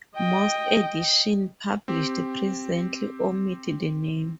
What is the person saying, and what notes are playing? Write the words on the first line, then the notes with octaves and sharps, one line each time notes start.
Most editions published presently omit the name.
D#5 G5
C4 G4